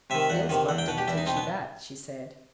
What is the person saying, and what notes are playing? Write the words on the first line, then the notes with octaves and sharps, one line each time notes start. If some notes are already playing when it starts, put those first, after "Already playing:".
'Beelzebub didn't teach you that,' she said.
C3 D#3 E5
E2 F#5
C3 D#3
E2 F#5
G5
B2 F#5
G4
E2 E4
D#4
B2 C4
B3